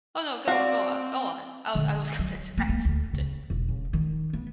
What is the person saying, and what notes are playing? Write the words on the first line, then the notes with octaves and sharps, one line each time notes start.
Oh no, go go o go on. I was I was going to ask something.
C4 F#4 D5 F5
D3
F#3
A#3
A#3
D2
C#3
E1
C#3
D#3
B3